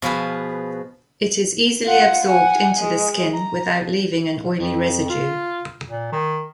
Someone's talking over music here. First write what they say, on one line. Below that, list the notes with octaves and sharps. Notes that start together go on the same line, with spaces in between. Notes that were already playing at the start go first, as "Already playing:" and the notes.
It is easily absorbed into the skin without leaving an oily residue.
B2 F3 G#4 B4
F4 F#5
F#5 G#5
G#3
A#5
F2
F4
A#2
D#3